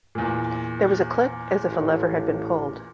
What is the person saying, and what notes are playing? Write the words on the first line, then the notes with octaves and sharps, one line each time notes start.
There was a click as if a lever had been pulled.
E2 A#2
A1